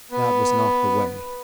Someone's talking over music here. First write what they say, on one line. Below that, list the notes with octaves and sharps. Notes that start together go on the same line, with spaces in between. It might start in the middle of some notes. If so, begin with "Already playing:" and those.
That was not the way.
B3